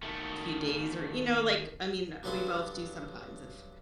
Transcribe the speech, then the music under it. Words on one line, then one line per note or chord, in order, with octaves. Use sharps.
few days or you know, like, I mean, we both do sometimes if
D#3 A3
G2 F#3 C#4 A4 B5 C6